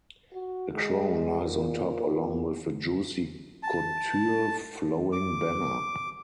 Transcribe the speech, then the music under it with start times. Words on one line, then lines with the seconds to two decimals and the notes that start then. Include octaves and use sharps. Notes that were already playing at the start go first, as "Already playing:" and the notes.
A crown lies on top along with a Juicy Couture flowing banner.
0.33 F#4
0.74 G#3
1.41 A#2
3.63 A5
5.12 D6